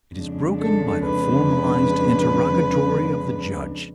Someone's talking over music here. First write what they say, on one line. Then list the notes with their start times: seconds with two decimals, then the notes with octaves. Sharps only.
It is broken by the formalised interrogatory of the judge?
0.14 F2 C#3 G#3 D4
0.60 A4
1.04 B4